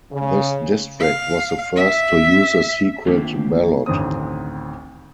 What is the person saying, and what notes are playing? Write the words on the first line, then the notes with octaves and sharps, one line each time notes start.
This district was the first to use a secret ballot.
C#3
F5
E5
D#3 A#3 C4 D4 F4
A1 D2 D#3 C4 D#6